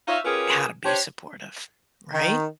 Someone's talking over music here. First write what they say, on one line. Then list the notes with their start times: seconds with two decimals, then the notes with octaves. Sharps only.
how to be supportive, right?
0.07 D#4 F4 C#5 E5 F5
0.24 C#4 F4 G4 G#4 A#4 B4
0.84 D4 G4 C5 C#5
2.13 D#3